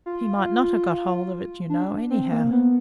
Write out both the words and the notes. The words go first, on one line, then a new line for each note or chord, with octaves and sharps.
He might not have got hold of it, you know, anyhow.
F4
D4
C4
A#3
B3